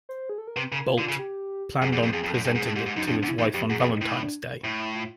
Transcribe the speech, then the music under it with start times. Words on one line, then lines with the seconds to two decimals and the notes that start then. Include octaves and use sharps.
Boldt planned on presenting it to his wife on Valentine's Day.
0.09 C5
0.29 G#4
0.38 A4
0.47 A#4
0.56 C3 B4
0.72 C#3 A#4
0.88 F4
0.99 D3
1.09 C#3
1.19 G4
1.82 F#2 G#4
1.93 E2
2.03 F2
2.13 F2 G#4
2.24 F2
2.29 F#2 A4
2.45 G2 G#4
2.55 G#2
2.66 A2
2.76 G#2 G4
2.86 G#2
2.96 F#2 D#4
3.07 F2 D4
3.23 E2
3.28 E4
3.39 E2 D#4
3.54 F2 G4
3.70 F#2 G#4
3.80 F2
3.94 D#4
4.01 A2 E4
4.12 D#4
4.22 D4
4.64 A2 E4
4.80 E4
4.95 F4